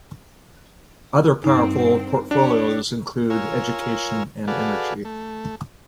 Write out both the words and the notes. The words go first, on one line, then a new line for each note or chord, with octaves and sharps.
Other powerful portfolios include Education and Energy.
G2 C4 D#4
D4 G4 C#5
F4 A#4 C#5 G#5 E6
F#4 G#4 A4 B4 D5 F5
A3